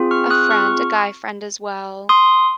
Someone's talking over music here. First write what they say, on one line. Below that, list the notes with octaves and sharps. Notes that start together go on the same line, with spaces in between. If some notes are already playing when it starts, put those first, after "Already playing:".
a friend a guy friend as well
Already playing: C4 F4 G#4
C#6 F6
D#6 F#6
C#6 F6
C6 D#6